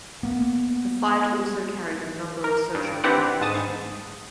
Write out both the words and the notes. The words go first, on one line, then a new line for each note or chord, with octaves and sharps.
The fight also carried a number of social implications.
A#3 B3
A#4
G2
C4 D4 E4 G4 B4 F#5
G#2 A5 D#6